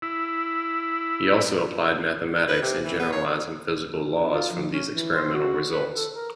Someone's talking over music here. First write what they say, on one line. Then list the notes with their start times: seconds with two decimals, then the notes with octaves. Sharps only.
He also applied mathematics in generalizing physical laws from these experimental results.
0.02 E4
2.48 B4
2.62 C3
2.84 E3
2.99 B3
3.12 C#5
4.18 B3
4.31 F4
4.52 F3
4.72 C#4
4.91 E3
5.15 C5
5.34 F#4
5.69 B4
5.94 A4
6.14 A#4